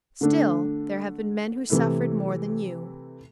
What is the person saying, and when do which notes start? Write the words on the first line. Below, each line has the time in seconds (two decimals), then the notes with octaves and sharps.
"Still, there have been men who suffered more than you."
0.21 D3 A3 D4
1.70 C3 E3 A3 E4